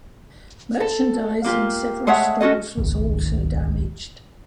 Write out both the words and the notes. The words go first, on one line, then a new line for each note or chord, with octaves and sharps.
Merchandise in several stores was also damaged.
A4
A#3 F4 G4
G#3 A3 C#5 E5 F#5
C#4 F#4 A4 D#5
D#1 G#1 C#2 D#3